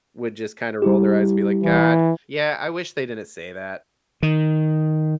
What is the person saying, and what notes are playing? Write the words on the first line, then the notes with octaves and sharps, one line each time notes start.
would just kinda roll their eyes and be like, "God. Yeah, I wish they didn't say that,
G3 E4 G4
E3
D#3